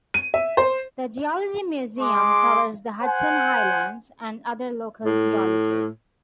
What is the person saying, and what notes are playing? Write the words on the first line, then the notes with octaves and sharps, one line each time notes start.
The Geology Museum covers the Hudson Highlands and other local geology.
D#7
E5
C5
G#3 C6 D6
C5 F#5 G#5
A2